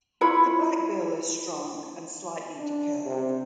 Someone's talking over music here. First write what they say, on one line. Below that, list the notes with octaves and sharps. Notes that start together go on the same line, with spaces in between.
The black bill is strong and slightly decurved.
E4 F4 C#5 B5
D4
C3